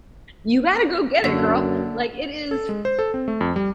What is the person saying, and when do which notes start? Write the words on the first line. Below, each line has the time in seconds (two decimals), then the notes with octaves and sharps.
you gotta go get it, girl, like, it is
1.24 F#2 D3 A#3
2.51 A4
2.69 G#3
2.85 C5
2.99 A4
3.14 C4
3.28 A3
3.41 F2
3.56 G3